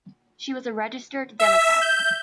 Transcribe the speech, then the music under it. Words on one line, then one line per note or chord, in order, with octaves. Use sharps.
She was a registered Democrat.
E5
G6